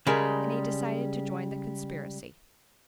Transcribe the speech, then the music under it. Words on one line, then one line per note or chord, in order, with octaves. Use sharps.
And they decided to join the conspiracy.
C#3 G3 G#3 A#4